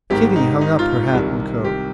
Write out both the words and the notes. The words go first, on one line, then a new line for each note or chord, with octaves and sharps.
Kitty hung up her hat and coat.
G#1 G#2 D#3 G4
D#4
D#4
F4
C2 C3 D#3
G4